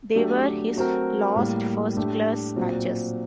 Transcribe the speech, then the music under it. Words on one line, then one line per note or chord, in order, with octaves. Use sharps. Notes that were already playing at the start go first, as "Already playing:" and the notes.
They were his last first-class matches.
F#3 A3 D4 G4
F#3 A3 C4 F#4 A#4
A2 G3 A#3
A2 A3 D4 G4
A#2 F#3 C4